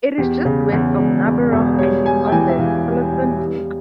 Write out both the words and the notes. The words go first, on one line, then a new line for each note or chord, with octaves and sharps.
It is just west of Narborough, and is on the Thurlaston Brook.
E2 G4
C#3
E2
E1
E2
E1
G3 C#5
G3 G#5
G5
E3 G#5
E5
E3 F5
G3
G3
G3